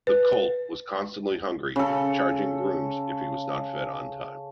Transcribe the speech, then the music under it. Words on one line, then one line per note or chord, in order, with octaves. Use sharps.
The colt was constantly hungry, charging grooms if he was not fed on time.
B4
C#3 A4